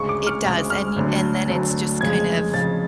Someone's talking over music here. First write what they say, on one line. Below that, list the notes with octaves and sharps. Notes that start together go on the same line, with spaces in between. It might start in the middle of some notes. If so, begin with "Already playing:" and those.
It does, and you and then it's just kind of
Already playing: D2 C#3 G#3 C#6
D6
F6
D2 C#3 G#3
F6
D2 D3 F#3 A3
D2 D3 F#3 A3
F2 C#3 G#3 G#6
F2 C#3 G#3 A6